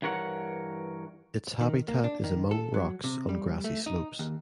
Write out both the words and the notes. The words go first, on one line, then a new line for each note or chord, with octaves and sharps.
Its habitat is among rocks on grassy slopes.
G2 E3 A#4 C#5 F#5
D#3
A#3
D4
D#3
A4
F#3
C3
G3
A3
D#4
D#2